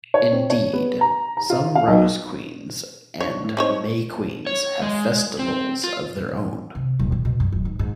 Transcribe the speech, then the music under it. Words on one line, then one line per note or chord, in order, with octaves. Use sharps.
Indeed, some Rose Queens and May Queens have festivals of their own.
C#5
C4
C#5
B3
A#5
A#5
F4
F5
B1
D4 C#5 C#6
A2
F3 C4 D#4 C#5
C#6
C#5
G#3
C4
F4
C3
D#1
A#2
B2
G2
D1
G#2
G#2